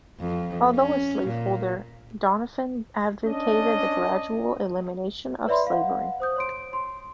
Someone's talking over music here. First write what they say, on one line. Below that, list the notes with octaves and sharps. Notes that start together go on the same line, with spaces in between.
Although a slaveholder, Doniphan advocated the gradual elimination of slavery.
F2
C#4
A#2
C#4 D4 D#5
B4 C#5 D5 E5 B5 C6
F5 F#5
C5 D#6 G6
C#5 C6 D7
C6